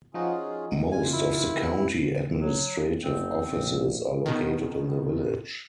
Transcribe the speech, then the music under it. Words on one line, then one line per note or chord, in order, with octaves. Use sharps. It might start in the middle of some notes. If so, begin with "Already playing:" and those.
Most of the county administrative offices are located in the village.
F3 C#4 D#4 F4 F#4 G#4
F#2 F4 G#5
E4
F#3
F#1 C4
A#1
B2 D#3